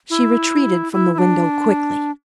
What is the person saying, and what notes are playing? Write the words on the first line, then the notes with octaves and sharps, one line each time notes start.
She retreated from the window quickly.
E4
E4
E4
D4